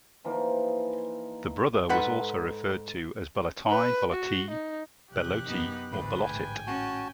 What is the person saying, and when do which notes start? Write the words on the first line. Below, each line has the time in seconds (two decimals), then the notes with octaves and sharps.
The brother was also referred to as "Belloti", "Belloty", "Beloty", or "Bellottit".
0.24 E3 F3 A#3 D#4
1.89 G#2 A4 B4 F#5
3.70 B4
4.13 F#4
4.51 D#4
5.11 E2 C3 G4 F#6
5.45 F#2 B3 D#4
5.91 A1 D2 G#2 A3 B4
6.23 G5 G#5
6.67 C#4 F#4 A5